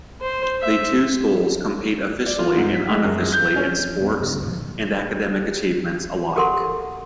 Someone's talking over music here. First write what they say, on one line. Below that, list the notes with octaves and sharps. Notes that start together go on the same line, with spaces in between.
The two schools compete officially and unofficially in sports and academic achievements alike.
C5
E5
D5
F4
G#2
B6
G#3
F#2
G6
C#4
F1 F2 B3
G2 C#3
C#2
A#2 D3 F3 F#3
F#4 G4 A4 A#4 F#5 C6